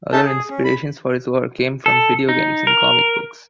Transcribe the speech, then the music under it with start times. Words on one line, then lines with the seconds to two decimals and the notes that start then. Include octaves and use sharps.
Other inspirations for his work came from video games and comic books.
0.13 C#4 D#4 A4 E5 A5 G6
0.26 G#4
0.50 C#4
0.64 B5
1.86 A4
2.29 D#4
2.67 A#4